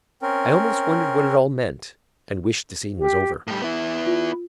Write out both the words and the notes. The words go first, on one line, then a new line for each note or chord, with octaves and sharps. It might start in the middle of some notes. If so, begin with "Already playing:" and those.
I almost wondered what it all meant, and wished the scene was over.
C4 C#4 A#4
G4
A2 G3
B3 E4
F4